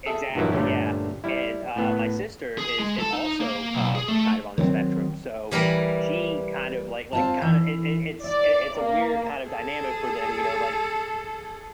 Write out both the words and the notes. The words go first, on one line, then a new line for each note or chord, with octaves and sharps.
Exactly, yeah, and, uh, my sister is is also um kind of on the spectrum, so she kind of, like like, kind of it it it's i it's a weird kind of dynamic for them, you know, like,
G#4 A4 E5
G2 A#2 D#3 E3 F#3 E4
G2 A#2 D3 A3 C#4
G3 E4
A2 B3
G#4
G#3
A4
D#4
A#3
B1
G#4
A3
D#3 F#3 B3 C4
E3 G3 A#4 G#5 B5
C4 F4 A5
E3
D5 E5
A#3
G#4 A4